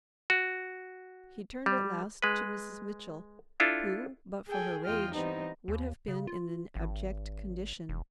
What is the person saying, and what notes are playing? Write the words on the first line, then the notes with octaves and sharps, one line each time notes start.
He turned at last to Mrs. Mitchell, who, but for her rage, would have been in an abject condition.
F#4
G3
G#3 B4
D4 E4 F4 A4
G#4 A4 G5 G#5
E2 F4 D#5 G5 F6
E3 G3 B3 C4 D#4
D#2
C#3
F4
G#1
E1